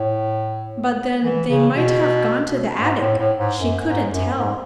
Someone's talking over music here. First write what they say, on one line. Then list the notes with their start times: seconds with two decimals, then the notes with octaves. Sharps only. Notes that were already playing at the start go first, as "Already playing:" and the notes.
But then they might have gone to the attic--she couldn't tell.
Already playing: A2
1.24 E3
1.49 C#3
1.76 B2
2.80 G#2
3.01 A2
3.19 A2
3.39 G#2
3.58 F#2
3.85 G#2
4.11 F#2
4.37 G#2